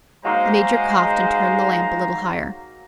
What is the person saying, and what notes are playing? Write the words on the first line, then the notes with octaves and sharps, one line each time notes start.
The Major coughed and turned the lamp a little higher.
F#3 G#3 A#3 D#4 C5 F5 A#5